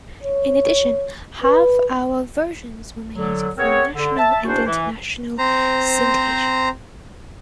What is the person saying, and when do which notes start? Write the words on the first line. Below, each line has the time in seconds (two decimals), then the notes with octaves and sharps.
In addition, half-hour versions were made for national and international syndication.
0.23 C#5
1.43 B4
3.15 D3 F#3
3.58 B3 C4 G#4 A#4 C#5
3.96 D3
4.17 E5 A5
4.45 E2 C#4 D4 F#4 C5
4.65 E3
5.38 C4 C5 A#5